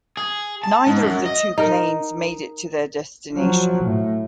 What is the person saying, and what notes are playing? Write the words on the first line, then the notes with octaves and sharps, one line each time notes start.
Neither of the two planes made it to their destination.
G#4
A5
G#2
F#2
D#5
D#4 A#4
F3 F#3
A2